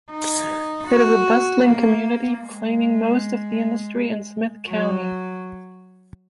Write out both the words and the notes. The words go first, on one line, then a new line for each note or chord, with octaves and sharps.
It is a bustling community, claiming most of the industry in Smith County.
D#4
F#4
A#3
G#3
F#3